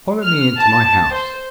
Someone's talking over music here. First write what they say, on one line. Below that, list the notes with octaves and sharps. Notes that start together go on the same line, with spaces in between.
Follow me into my house.'
F6
A5
C5